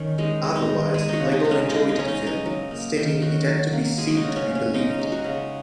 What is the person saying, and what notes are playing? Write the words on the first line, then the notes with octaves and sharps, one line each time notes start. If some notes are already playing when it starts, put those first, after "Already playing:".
Otherwise, "Playboy" enjoyed the film, stating it had to be "seen to be believed".
Already playing: D#3 C#4
G#3 D#4
G#3
D#4
D#3
G#3 G#4
D#4 F#4
C#3
D#4
C#3 D#4
C#4
G#3 D#4
D#4
G#3 C#4
D#4
C#3
D#4
F#3 D#4
A#3
D#3
D#3 F#4
F#3
A#3
G#3 G#4
F#4
D#4
C#3
C#4
C#3
C#4
G#3 D#4
C#4
G#3 D#4
F#4
C#3